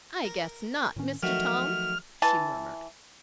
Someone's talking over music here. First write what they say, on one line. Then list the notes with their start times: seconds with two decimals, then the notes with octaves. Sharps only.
"I guess not, Mr. Tom!" she murmured.
0.25 A#4
0.96 A2 D#3 C#4
1.23 D#3 F3 F#3 A3 F#4 F6
2.22 E3 A5